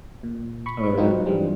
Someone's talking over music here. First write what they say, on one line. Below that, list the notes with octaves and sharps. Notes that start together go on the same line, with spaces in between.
Oh, yeah.
A#2
B5 C#6
F#3 C4 D#4 F4
G2 E3 F3 G3 C4